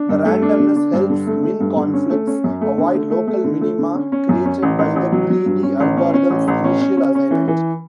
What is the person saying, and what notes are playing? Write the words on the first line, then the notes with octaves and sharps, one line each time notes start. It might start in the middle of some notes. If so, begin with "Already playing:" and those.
The randomness helps min-conflicts avoid local minima created by the greedy algorithm's initial assignment.
Already playing: D4
G2
A3
D4
D3
D4
G2
D3
A3
A3
G2
D3
C#4
A3
C#4
F#2
A3
D3
A3
A3
A3
D3
A3
D3
C#4
C#4
F#2
C#4
A1
A1
A1
F#3
F#3
G2
C#4
A1
C#4
C#4
A1
A1
C#4
C#4
C#4
C#4
E3
E3